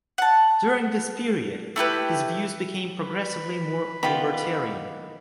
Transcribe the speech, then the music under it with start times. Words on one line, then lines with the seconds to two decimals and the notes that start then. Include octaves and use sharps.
During this period his views became progressively more libertarian.
0.18 F#5 A5
1.76 A3 E4 G4 B4
3.03 B4
4.03 D#3 B3 F4 G4 B5